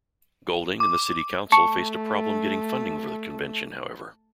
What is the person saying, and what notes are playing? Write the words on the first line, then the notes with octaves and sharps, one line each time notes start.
Golding and the city council faced a problem getting funding for the convention, however.
D6
A3 A5 C#6 C#7